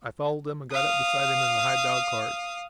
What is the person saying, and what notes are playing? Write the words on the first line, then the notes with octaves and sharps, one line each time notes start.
I followed him and got up beside him in the high dog-cart.
F5 D#6